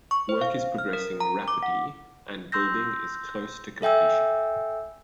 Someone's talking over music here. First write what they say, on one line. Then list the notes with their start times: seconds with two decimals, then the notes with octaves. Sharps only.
Work is progressing rapidly and building is close to completion.
0.11 C#6
0.29 C5
0.41 F5
0.78 F6
0.93 A#4
1.20 A#5
1.48 D6
1.63 F#5
2.52 C6 E6 G6 A#6
3.82 A4 E5 G5 G#5 E6